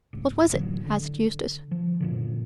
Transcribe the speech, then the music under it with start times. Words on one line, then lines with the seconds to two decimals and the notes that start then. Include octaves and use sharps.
"What was it?" asked Eustace.
0.13 G#1 C#2
0.53 A1 D#2 D3 F#3
0.86 D3
1.71 F3
2.00 F#1 A#2 D3